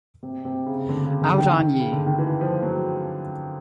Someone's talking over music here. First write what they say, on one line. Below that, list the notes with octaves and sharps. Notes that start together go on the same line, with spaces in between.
Out on ye!
C3
C3
C#3
C#3
D3
C#3
D3
D#3
C#3
D3
D#3
E3
F3
F#3